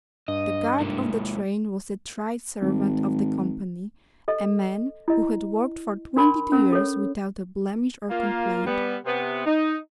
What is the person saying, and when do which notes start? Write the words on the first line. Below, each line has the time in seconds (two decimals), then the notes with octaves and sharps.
The guard of the train was a tried servant of the company--a man who had worked for twenty-two years without a blemish or complaint.
0.28 G2 D#5
0.80 G#2 A#3
2.61 G#1
4.28 A4 D#5
5.08 E4 D#5
6.17 D4 A#4 B5 C6
6.52 C#4 A#4
6.72 A4 C#5
8.09 A#3 F4
8.65 G3 B3
9.05 C3 B3
9.46 D#4